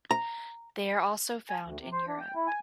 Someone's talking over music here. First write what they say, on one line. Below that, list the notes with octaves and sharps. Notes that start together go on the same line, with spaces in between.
They are also found in Europe.
A#5
G#5
D2
C3
C5
D4
G5
E4
G#5